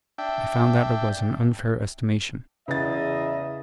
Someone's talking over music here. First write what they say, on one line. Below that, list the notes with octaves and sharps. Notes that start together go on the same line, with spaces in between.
I found that it was an unfair estimation.
D4 E5 G5
E2 C#3 D#5 E5 A6